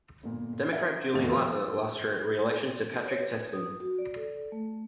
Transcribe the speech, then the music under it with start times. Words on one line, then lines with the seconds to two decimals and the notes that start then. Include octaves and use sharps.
Democrat Julie Lassa lost her re-election to Patrick Testin.
0.23 G1 A#2
0.73 A#4 D5 E5 F#5
1.14 D#1 E2 A2 D#5 A6 F7
1.32 F3 B4 C5 F5
3.05 C#5
3.21 B4
3.53 D#6
3.80 F#4
3.99 D5
4.16 A4
4.52 A3